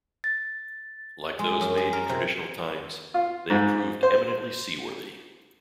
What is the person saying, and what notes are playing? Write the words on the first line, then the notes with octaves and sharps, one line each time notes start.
Like those made in traditional times, they have proved eminently seaworthy.
A6
G#3
F#2
G#4
A#4
C3
F4
G#2
C5